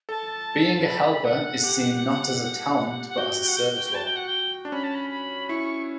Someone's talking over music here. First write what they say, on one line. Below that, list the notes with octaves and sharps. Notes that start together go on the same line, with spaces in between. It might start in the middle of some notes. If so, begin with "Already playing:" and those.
Being a helper is seen not as a talent but as a service role.
A4 A5
B5
F#5
G4
F#5
F#4 G5
F#5
G5
A5
G5
F#5
G5
D4
C#4 B5
A5
B5
B5
E4 C#6